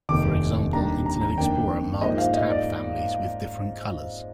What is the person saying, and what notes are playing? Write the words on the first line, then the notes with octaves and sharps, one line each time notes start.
For example, Internet Explorer marks tab families with different colours.
F1 D#2 D#3 D6
D#2 D#3 G3 D4 A#5
A#5
A#5
F2 D#3 A#3 D4 G5
G#2 F3 A#3 D#4 D#5
F5
D#5
D5